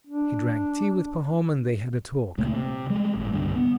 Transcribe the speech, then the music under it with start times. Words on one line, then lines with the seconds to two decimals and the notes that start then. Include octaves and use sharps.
He drank tea with Pahom, and they had a talk.
0.07 D4
2.38 C#2 A#2 A3 A#3
2.55 C3
2.90 G3 G#3
3.15 G#1 A2
3.33 C2 G2 D3
3.56 B3